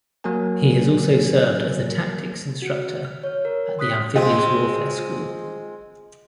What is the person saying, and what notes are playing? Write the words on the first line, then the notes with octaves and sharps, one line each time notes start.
He has also served as a tactics instructor at the Amphibious Warfare School.
F#3 A#3 F#4 A#4 G#5
F#4
F6
C#5
A#4
C6 D#6 F#6 B6
G#3 C4 F4